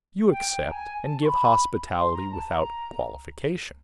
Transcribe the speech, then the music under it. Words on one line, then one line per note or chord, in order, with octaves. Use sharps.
You accept and give hospitality without qualification.
G5
G5
A#5
G#5
A5
C#6
B5
C6
A#5
A5
A#5